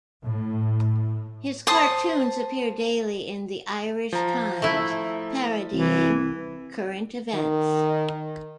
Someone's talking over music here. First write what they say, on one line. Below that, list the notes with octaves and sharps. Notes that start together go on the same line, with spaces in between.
His cartoons appear daily in "The Irish Times" parodying current events.
A2
C5 A5 D#6
F3 A#5
A3 E4
C2 E3
D#3